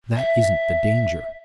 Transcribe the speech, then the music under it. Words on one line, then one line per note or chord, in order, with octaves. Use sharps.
That isn't the danger.
E5